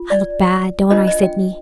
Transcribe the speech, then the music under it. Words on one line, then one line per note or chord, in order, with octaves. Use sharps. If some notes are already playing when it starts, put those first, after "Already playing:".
I look bad, don't I, Sidney?'
Already playing: F4
D5
D4 F4 C5 D#5
D#5
G5